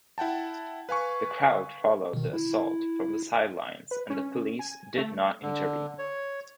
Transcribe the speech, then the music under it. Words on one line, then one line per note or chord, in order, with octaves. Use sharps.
The crowd followed the assault from the sidelines and the police did not intervene.
E4 F#5 G5 A5
B4 F5 G#5 C#6
B2 D#3
E4
B4
C#4
G#5
A3
D3
C#5